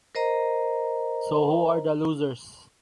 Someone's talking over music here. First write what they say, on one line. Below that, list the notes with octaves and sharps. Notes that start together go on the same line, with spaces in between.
So who are the losers?
A#4 C5 D#5 A#5